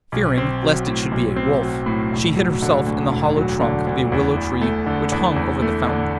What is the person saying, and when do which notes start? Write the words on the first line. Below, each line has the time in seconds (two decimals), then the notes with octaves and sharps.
Fearing lest it should be a wolf, she hid herself in the hollow trunk of a willow tree which hung over the fountain.
0.12 B1
0.38 C4
0.62 F#3
0.87 A2
1.12 B1
1.36 C4
1.62 F#3
1.86 A2
2.12 E1
2.37 F#3
2.62 D3
2.86 D2
3.12 E1
3.37 F#3
3.61 D3
3.87 D2
4.12 E2
4.37 E2
4.61 A3
4.86 D3
5.12 E2
5.36 E2
5.62 A3
5.87 D3